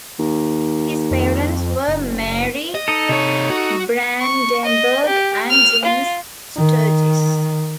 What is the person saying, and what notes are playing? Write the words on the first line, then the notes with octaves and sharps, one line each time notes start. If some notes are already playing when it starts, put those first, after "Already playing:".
His parents were Mary Brandenburg and James Sturgis.
D#2
F2
F#1
D#5
D#4 A4
C3 C#5
F#4
C#6
D#5
G4
F6
F4
D#3